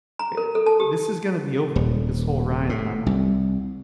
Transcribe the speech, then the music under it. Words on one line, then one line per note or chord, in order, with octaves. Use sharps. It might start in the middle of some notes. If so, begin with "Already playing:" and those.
eh this is gonna be over, like, this whole ride that I'm on
A#5
A#4
A4
A5
G4
D#1
A2
C2